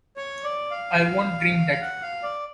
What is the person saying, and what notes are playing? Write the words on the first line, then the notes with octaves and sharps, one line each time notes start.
I won’t drink that.
C#5
D5
F5
F5
F#5
F5
D5